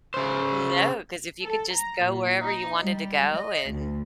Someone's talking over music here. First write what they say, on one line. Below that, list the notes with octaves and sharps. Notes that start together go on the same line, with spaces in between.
No, 'cause if you could just go wherever you wanted to go and
C#3 C5
A4
A#5
A#2
D#4
G3
D#5
D2